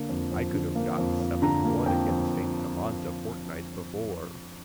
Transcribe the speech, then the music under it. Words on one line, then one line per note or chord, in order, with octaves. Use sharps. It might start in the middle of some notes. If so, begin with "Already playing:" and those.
I could have got seven to one against Saint Amant a fortnight before.
Already playing: D3 A#3
F2
F2
D3
A#3
F2
F2
D3 A#5
A#3
F2 G5
F2